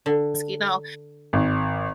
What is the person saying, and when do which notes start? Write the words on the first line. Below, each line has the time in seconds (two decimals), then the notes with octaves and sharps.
you know?
0.06 D3
1.33 G#1